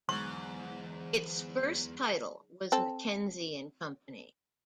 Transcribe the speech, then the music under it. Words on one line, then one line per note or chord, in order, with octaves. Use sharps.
Its first title was "McKenzie and Co".
E2 G#2 D3 E3 F#3 G#3 C#6
C4 A4